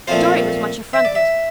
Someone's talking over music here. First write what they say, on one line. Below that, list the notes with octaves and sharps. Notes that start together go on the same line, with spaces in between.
Dorry was much affronted.
A#2 F3 A3 C4 F4 C5
E5
D5
E5